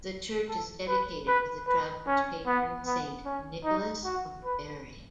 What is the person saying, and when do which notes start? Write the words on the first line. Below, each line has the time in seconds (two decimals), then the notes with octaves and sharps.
The church is dedicated to the traveller's patron, Saint Nicholas of Bari.
0.49 A4
0.88 B4
1.28 B4
1.67 B4
2.07 C#4
2.46 B3
2.86 B3
3.25 C#4
3.65 D#4
4.05 F#4
4.44 B4